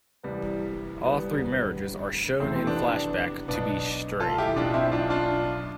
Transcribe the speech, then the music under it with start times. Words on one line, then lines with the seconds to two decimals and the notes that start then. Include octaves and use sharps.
All three marriages are shown in flashback to be strained.
0.23 C2 C3 E3 G3 B3
1.05 G3 B3
1.32 E1 D2 D3
2.40 F1 E2 C3 E3 A3 C4
2.56 C4
2.67 B3 D4
3.48 B1 B2 B3 D4
4.20 F4 A4
4.38 E4 G4
4.56 B1 B2 D4 F4
4.74 C4 E4
4.92 D4 F4
5.10 D4 F4